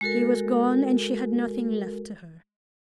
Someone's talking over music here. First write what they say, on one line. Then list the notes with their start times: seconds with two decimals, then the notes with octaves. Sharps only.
He was gone, and she had nothing left to her.
0.01 G#3 F#4 A4 A#4